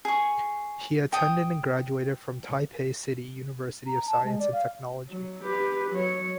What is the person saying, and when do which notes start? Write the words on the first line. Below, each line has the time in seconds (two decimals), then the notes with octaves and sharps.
He attended and graduated from Taipei City University of Science and Technology.
0.05 G#4 C#6
1.13 G5 D#6
3.87 A#5
4.07 A5
4.24 G#3
4.39 D5
4.53 F5
5.09 F#3
5.44 G4 B4
5.91 F#3 C#5